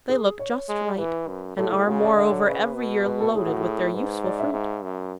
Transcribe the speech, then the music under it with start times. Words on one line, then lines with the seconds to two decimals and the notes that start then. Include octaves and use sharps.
They look just right, and are, moreover, every year loaded with their useful fruit.
0.09 G#4
0.39 C#5
0.69 G#3
0.98 E3 B4
1.28 F#2
1.57 A2 A4
1.72 G#4
1.87 C#3 F#4
2.02 D5
2.16 D3 E5
2.31 C#5
2.46 C#3 B4
2.76 B2
3.06 B4
3.20 A4
3.35 A2 G#4
3.47 F#4
3.61 G#4
3.94 G#2 B4
4.24 D5
4.39 E5
4.53 G#2
4.83 F#2